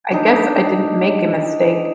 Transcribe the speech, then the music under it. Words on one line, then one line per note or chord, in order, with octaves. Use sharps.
I guess I didn't make a mistake.
D4 D#4 A#5